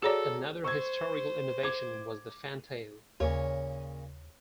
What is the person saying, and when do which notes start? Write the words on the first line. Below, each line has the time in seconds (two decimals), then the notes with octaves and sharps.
Another historical innovation was the fantail.
0.02 F#4 G#4 A4 C#5 D5 A#5 D6
0.64 C5 C#6 E6 G#6
1.63 D6 G#6
3.20 D#2 A#2 C#3 A#3 C#5